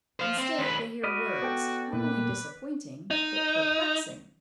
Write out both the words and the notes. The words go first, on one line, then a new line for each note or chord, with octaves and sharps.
Instead, they hear words, not only disappointing, but perplexing.
C5 F5
C4
D#2 B4
F#4 D5 D#5 B5 F6
B3 A4 D5 G5
A#2 A#3 B4
D#4